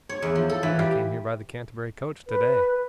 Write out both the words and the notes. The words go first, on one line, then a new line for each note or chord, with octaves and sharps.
'I came here by the Canterbury coach, today.
C#5
E2
F3
A4
E3
G3
B4